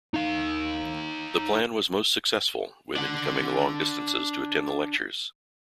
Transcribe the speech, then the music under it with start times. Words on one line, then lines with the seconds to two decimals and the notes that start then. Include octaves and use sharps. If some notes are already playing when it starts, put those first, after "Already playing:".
The plan was most successful, women coming long distances to attend the lectures.
0.14 D#4 F5
2.96 D4 F#5